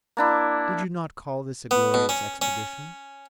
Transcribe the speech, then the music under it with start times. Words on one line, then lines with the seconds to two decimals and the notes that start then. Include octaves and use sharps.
Did you not call this a glorious expedition?
0.17 A#3 D4 E4
1.71 B3
1.94 B2
2.09 C#4
2.42 C#4